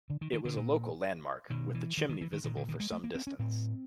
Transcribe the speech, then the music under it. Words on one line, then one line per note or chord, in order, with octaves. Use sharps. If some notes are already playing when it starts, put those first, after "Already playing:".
It was a local landmark, with the chimney visible for some distance.
D3
D#3
D#3
D3
A#2
B2 D#3
E3
D#3
D#3
E3
D#3
A#2 D#3
D3
D#3
G#3
A3
A#3
C4
C#4
A2 C4